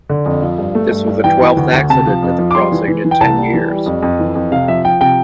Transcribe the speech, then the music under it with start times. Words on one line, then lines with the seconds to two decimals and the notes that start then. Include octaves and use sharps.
This was the twelfth accident at the crossing in ten years.
0.09 D3
0.26 F2
0.42 F3
0.58 G2
0.75 A3
0.91 G2
1.08 G2
1.24 E3 G5
1.41 E3
1.57 D2
1.73 D2
1.90 C3 A5
2.06 F3
2.23 F2
2.39 F3
2.51 D6
2.55 G3 C6
2.72 E3
2.88 E3
3.04 E3
3.11 G5
3.20 C2 A5
3.37 G3
3.54 E3
3.70 G3
3.86 F2
4.03 F2
4.19 E3
4.35 F2
4.51 C3 F5
4.68 F3 E5
4.85 F3 G5
5.01 C3 G5